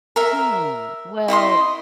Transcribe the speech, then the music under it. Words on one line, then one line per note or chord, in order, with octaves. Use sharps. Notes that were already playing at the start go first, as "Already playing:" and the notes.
Hmm. Well,
A#4 E5
E4 D#5 F5 C6